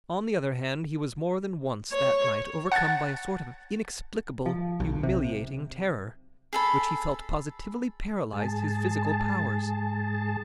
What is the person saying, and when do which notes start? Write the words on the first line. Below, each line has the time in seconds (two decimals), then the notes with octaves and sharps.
On the other hand, he was more than once that night overcome by a sort of inexplicable humiliating terror, which he felt positively paralyzed his physical powers.
1.93 C#5
2.72 F#5 A5 F#6 G#6 A6
4.46 F3
4.80 B1
5.03 C3
6.53 G#4 A4 B5
8.33 G#2 G#4 A5